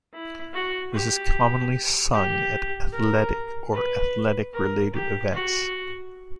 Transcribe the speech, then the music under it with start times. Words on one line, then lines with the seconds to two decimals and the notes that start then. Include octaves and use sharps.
This is commonly sung at athletic, or athletic related events.
0.13 E4
0.53 F#4
0.93 G4
2.13 G4
2.93 A#4
3.73 B4
4.53 A#4
4.93 G4
5.33 F#4